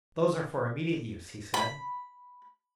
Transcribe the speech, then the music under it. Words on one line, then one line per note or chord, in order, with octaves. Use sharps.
"Those are for immediate use," he said.
B5